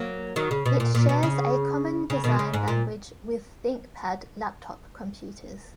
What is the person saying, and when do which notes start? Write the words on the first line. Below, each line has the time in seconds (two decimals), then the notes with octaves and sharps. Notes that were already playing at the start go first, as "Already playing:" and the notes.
It shares a common design language with ThinkPad laptop computers.
Already playing: F#3 A#3
0.36 D#3 F#3
0.51 C#3
0.66 B2
0.80 A#2
0.95 A#2
1.09 B2
1.23 C#3
2.10 C#3
2.24 B2 D#3
2.39 C#3
2.54 G#2
2.68 A#2